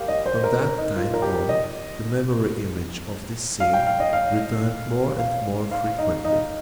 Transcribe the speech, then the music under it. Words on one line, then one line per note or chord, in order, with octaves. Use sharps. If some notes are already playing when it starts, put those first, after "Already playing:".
From that time on, the memory image of this scene returned more and more frequently.
Already playing: G4 A#4 F5
D#5
C5
A#4
A#4
D#4
F4
A#4
G4
D#5
F5
G5
F5
D#5
F5
F5
F5
D#4
D#4